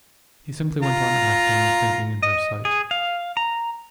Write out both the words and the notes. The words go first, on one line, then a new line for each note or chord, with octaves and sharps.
He simply went on acting and thinking in her sight.
F4 A#5
D#5
G#4
F5
A#5